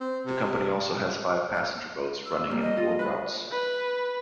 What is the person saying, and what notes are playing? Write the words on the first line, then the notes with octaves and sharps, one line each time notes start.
The company also has five passenger boats running in four routes.
C4
C3
E6
G3 A#3
D#5
F4
B4 F#6
B4